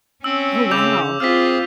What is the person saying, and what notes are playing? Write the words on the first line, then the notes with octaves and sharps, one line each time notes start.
Oh, wow.
C4 C#4 E6
C#3 D6 G6 F7
C4 F4 G#4 F6 B6